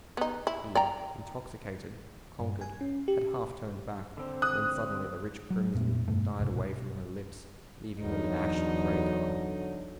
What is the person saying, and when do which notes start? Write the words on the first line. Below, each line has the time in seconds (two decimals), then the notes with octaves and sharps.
He, intoxicated, conquered, had half-turned back, when suddenly the rich crimson died away from her lips, leaving them an ashen grey colour.
0.17 B3 D#4
0.47 E4
0.75 D5 G5 A#5
2.40 G2
2.61 G#5
2.81 C#4
3.08 G4
4.17 D3 C4
4.42 D#6 F#6
5.50 F#3
5.75 F2 A#2 A3 B3
6.08 G2 B2 A3
6.39 C2 G#2 B2
8.01 E2 D3 F#3 D#4